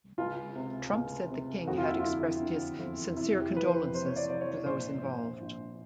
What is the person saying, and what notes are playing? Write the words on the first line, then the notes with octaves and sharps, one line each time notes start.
Trump said the king had expressed his "sincere condolences" to those involved.
C#2 F4
C3
C#2
C3
F2 F#4
F4
E4
F4
D3
D3
F2
C3 E4
G4
E3 B4
C5
C3 C5
C#5
D5
C3 D5
C#5
A#1 C5
A#1
A#1